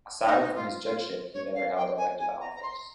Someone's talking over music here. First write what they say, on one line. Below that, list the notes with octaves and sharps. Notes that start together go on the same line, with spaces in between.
Aside from his judgeship, he never held elected office.
D#4
D#4
F4
F4
C#5
F5
G5
G#5
G#5
A#5
A#5
C6